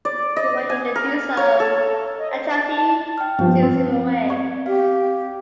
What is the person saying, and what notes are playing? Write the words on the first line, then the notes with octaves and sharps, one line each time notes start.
Before he can do so, Itachi seals him away.
D5
D#5
G#5
A#4
C#5
A4
D#5
C5
D5
A5
A5
G5 F6
G2 F3 B3
C4
D5 C#6
G4 F5